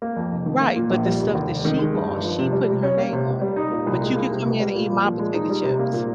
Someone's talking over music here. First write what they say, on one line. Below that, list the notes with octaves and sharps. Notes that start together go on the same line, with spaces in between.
Right, but the stuff that she bought, she putting her name on it. But you could come in and eat my potato chips.
A#3
F2
F1
D#3
A#3
A#2
A#1
G3
F1
D#2
F1
D#3
G#3
G2
G1
F3
C3
G3
C3
C#4
A#3
C3
C#2
G3
D#4
A#2
C2
G#3
A#3
C3
C#2
G3
A#2
F3
A#2
G#3
D#4
G3
C3
A#3
A#2